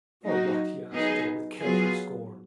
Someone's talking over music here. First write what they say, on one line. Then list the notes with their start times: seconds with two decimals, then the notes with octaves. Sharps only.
For what, he asked her, with careful scorn.
0.24 F#3 A#3 D#4 F#4
0.92 F#3 B3 D#4 G#4
1.60 F#3 B3 F4 G#4